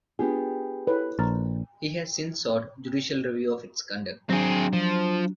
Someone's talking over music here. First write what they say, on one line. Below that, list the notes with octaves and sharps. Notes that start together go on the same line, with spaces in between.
He has since sought judicial review of its conduct.
B3 D4 F4 G4 G#4
E4 A4 B4 C#5
A#1 A#5 F6 A6
F#3 C4 D4 G#4
F3